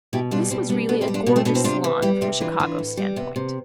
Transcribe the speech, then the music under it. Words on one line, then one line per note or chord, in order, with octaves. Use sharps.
This was really a gorgeous saloon from a Chicago standpoint.
B2 E4 G4
G3 D4 F4
B2 C4 E4
G3 B3 D4
B2 B3 D4
C4 E4
G3
D4 F4
B2 B3
A3 C4
B2 B3 D4
C4 E4
C3 D4 F4
E3
G3 E4 G4
C3 D4 F4
E3 D4 F4
E3 D4 F4
A2
G3
C3 B3
C3